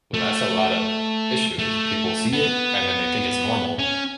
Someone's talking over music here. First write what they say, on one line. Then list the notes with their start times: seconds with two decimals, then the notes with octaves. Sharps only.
That's a lot of issues, people see it and then they think it's normal
0.14 A3
1.59 A3
2.33 B3
3.79 C#4